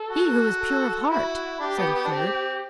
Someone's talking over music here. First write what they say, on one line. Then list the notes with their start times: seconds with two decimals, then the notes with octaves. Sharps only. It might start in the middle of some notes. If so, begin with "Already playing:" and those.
"He who is pure of heart," said a third.
Already playing: A4
0.09 F#4
0.59 A4
1.10 E4 F#4
1.60 D4 G4
1.78 B3
1.94 B3
2.05 D4
2.11 C4 G4